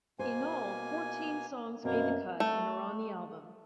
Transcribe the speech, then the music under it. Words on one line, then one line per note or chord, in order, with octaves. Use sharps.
In all, fourteen songs made the cut and are on the album.
B2 A#3 C5 G#5
F#2 B2 A#3 C4
A3